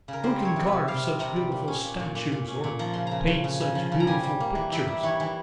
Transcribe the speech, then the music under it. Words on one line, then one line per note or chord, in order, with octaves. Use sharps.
'Who can carve such beautiful statues, or paint such beautiful pictures?
C#3 A#4
G3 C5
C4 C#5
C3
E5
C3
G3 F5
C3
C3 A#5
G3
A#2
C#4
A#2
A#2
A#2
A#2
C#4
A#2
F3 A#5
C#3 C6
C#3 A#5
C#3
C#3
C#3
F3
C#3
A#5
G3 G#5
G3
A#3
E3
E3 E5
G3
E3 C#5
E3